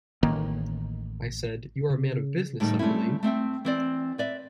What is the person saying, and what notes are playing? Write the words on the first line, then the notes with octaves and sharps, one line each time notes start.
I said, 'You are a man of business, I believe?'
A1 D#3 A#3
C#3
A2 D#3 G3 A3 D4 D#4
G3 A3 C4 C#4 E4
A3 C4 E5 G5
E3 C4 D5
B4 D5 E5